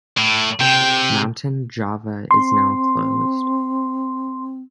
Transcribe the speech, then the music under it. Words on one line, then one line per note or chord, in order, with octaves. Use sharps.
Mountain Java is now closed.
A2
C3 G5
C4 C6